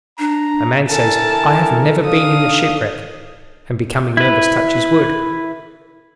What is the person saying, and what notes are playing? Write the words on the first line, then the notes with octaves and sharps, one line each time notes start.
A man says, "I have never been in a shipwreck," and becoming nervous touches wood.
D4 A#5
D3 E4 A4 A#4 G#5 A5
D4 D#4 F5 D#6
E4 B4